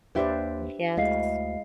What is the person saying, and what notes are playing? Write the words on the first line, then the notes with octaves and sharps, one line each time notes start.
Mm, yes.
D#2 D4 G4 B4 C5 D5 E5
D2 G#3 E4 D#5 F5 C7